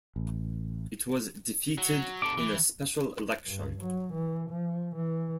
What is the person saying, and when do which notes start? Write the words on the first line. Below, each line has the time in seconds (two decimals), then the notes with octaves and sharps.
It was defeated in a special election.
0.16 A1
1.78 F#3
2.22 C3 A4 D6
2.38 E3
3.45 G2
3.79 F#3
4.13 E3
4.49 F3
4.95 E3